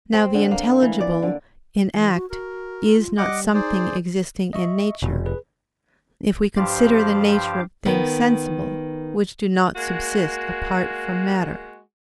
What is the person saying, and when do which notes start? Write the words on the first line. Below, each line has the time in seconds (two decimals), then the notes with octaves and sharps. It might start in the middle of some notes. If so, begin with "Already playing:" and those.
Now the intelligible in act is not something existing in nature; if we consider the nature of things sensible, which do not subsist apart from matter.
0.13 C4
0.34 D3
0.51 A#3
0.82 E3
1.00 D5
1.22 D3
1.95 E3
2.14 F#4
2.30 F#4 A#4
2.96 F4
3.18 G3 D#5 F#5 D6
3.54 D#4 G#4 C5 D5
4.53 D#5 E5 C#6
5.02 F1 B2
5.26 G#4 B4
6.56 G2 F3 G4 C5 F5 D6
7.85 D#3 B3
9.76 G#3 A#3 F#4